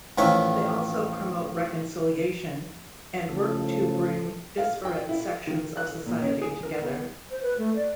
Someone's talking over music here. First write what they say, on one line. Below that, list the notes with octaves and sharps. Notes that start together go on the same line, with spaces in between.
They also promote reconciliation and work to bring disparate sections of society together.
A1 D#3 F3 C#5 E5
A2 C#3 F3 A4
F5
G5
E4
D#3
F#6
A#2
C#4
G#4
A#4
B3
C5
B4
A3
D5